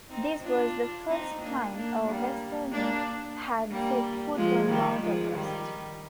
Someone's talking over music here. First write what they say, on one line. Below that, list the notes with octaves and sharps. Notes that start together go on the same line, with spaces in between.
This was the first time a Westerner had set foot on Mount Everest.
C4 D#4
D4 F4
C4 D#4
A#3 D4
A#3 D4
G3 A#3
A#3 D4
G3 A#3
F3 G#3
D#3 G3
F3 G#3
D#3 G3